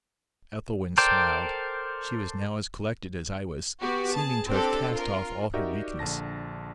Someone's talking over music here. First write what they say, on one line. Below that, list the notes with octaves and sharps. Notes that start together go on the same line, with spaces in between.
Ethelwyn smiled.--She was now as collected as I was, seeming to have cast off all her weakness.
A4 A#4 C5 D5 G5
B3 F#4 G4
G#4 A5
C4 D4 G4 A4
F4 A#4
D#4 F#4 G4 A#4 D5 E5
A#1 D3 A5 A#6